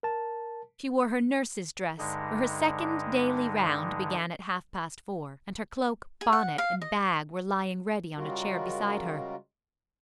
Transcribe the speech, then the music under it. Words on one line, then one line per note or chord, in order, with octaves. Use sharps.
She wore her nurse's dress; for her second daily round began at half-past four, and her cloak, bonnet, and bag were lying ready on a chair beside her.
A#4 A5
G2 D3 G#3 D#4
G#4
F#5
F5
D#5
C#3 G3 G#3 F4 F#4 A#4